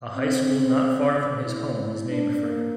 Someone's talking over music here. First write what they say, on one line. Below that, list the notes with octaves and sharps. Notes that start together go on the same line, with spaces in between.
A high school not far from his home is named for him.
C4
E4
D4
A#3